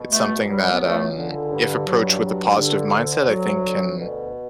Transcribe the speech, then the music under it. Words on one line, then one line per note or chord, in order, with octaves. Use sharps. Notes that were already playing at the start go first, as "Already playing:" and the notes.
it's something that, um, if approached with a positive mindset, I think can,
Already playing: B2
C#2 A3
F#3 G3
B3
C#2 A3
D3
G2
F#3
G2
D3
D2
F#3
D2
B2